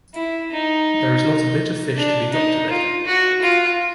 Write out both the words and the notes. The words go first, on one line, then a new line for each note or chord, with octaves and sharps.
There is not a bit of fish to be got today.
E4
D#4
D4
D#4
F4
F#4
F4